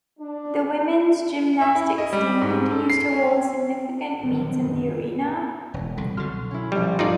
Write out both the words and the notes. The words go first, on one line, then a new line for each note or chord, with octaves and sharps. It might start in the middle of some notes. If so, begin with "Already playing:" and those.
The women's gymnastics team continues to hold significant meets in the arena.
D4
E5
E4
D#5
G3
G#2
A4
C7
C#4
A#1 D3 D#3 F#3 G3 C4
F#1 D3
E1
C2 D3
B2 D3 F#3 C6 F6
C#4 E4
A#1 F3 G3
G2 D#4 F4 A4 D5